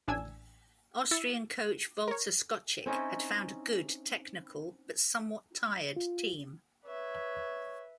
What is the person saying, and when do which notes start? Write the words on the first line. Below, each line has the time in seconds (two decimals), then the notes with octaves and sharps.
Austrian coach Walter Skocik had found a good, technical but somewhat tired team.
0.08 A1 D4 G#5 E6 G#6
1.11 E4 E6 A6 C#7
2.08 A#4 C#5
2.86 C4 C#4 D#4 E4
5.96 F4
6.85 B4 C#5 E5